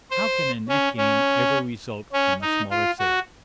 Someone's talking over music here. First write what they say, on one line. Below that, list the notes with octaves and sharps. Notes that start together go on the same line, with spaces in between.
How can a net gain ever result from a smaller sale?
C5
C#4
C#4
C#4
D#4
F4
F#4